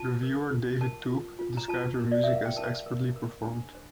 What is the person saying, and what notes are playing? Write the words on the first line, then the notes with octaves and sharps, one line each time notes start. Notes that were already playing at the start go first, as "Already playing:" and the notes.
Reviewer David Toub described her music as "expertly performed".
Already playing: F4 A5
A#4
F4
A#4 A5
F4
F4
A#5
F4 A5
A#4
D5
A#4 E5
F5
G5
A#4 A5
A#4
A#4
D4
C5